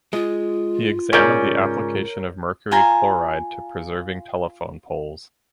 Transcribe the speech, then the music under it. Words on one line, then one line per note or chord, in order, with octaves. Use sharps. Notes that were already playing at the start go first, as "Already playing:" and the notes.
He examined the application of mercury chloride to preserving telephone poles.
G#3 F4
G#2 C#3 C#4 A#4 C#5 D5 G6
F4 G#5 A#5